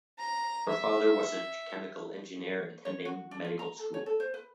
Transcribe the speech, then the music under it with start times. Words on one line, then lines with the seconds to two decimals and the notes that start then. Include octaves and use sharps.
Her father was a chemical engineer attending medical school.
0.18 A#5
0.69 E5
2.85 C#5
3.05 F#4
3.31 D4
3.44 F4
3.59 A#5
3.79 A4
3.94 C#5
4.06 A4
4.20 C5
4.34 B4